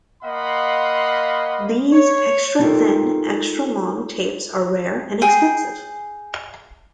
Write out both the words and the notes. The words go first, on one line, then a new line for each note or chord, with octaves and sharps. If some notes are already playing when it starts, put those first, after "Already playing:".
These extra-thin, extra-long tapes are rare and expensive.
A#3 D#5 F5 F#5 B5 C6
C#5
D#4 F4 G4 A4 A#4
G#4 G5